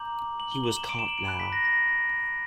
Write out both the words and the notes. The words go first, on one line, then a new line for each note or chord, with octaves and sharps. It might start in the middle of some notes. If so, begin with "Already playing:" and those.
He was caught now.
Already playing: A#5 D6 G6 F#7
F#7
G7
F#7
E7
D7
E7
F#7
D7
B5 F#6
B6
A#6
A#6